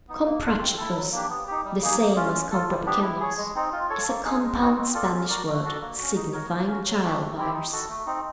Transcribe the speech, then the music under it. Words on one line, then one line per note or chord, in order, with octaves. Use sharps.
Comprachicos, the same as Comprapequenos, is a compound Spanish word signifying Child-buyers.
B3 D#4
A#3
D4 F4
C4
E4 A4
F#3
A#3 D4 G4
B3
D#4 G4
G3
A#3 D#4 G#4
A#3
C#4 F4
C#4
F4 A4
G3
B3 D4 G4
E4
G#4 C#5
G#3
C4 D#4
F4
A4 C#5
A#3
D#4 G#4
G#3
C4 D#4 F#4
C4
F4 A4 D5
C#4
F#4 A#4 D5
A3
D4 F#4 A4
A#3
C#4 F#4
D#4
F#4 A#4 C#5
A#3
C#4
F#4
F#3
A3 D4 G4
A3
C4 E4 G4
D#4
F#4 A4
A3
C4 D#4